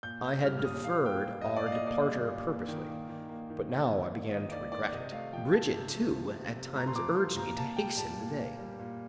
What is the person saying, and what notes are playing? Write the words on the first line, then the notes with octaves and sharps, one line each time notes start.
I had deferred our departure purposely, but now I began to regret it. Brigitte, too, at times urged me to hasten the day.
A#2 G6
A#3 G6
G3 F6
F6
A#2 D#6
A#2 F5
A#3 G5
G3
A#2 D#5
D5
A#2 F5
D#5
A#3 D5
G3
A#2
A#3
D#3
A#3
D#3
A#3
D#3
A#3
D#3
A#3
D#3 D#5
A#3 D5
D#3 D5
C3 D#5
A3 F5
F3 G5
C3 A5
C3
A3
F3
C3
C3
A3 A#5
C6
F3 D6
C3 C6
A#2 A#5
A#3 A5
G3 G5
A#2 A5
A#2
A#3
G3
A#2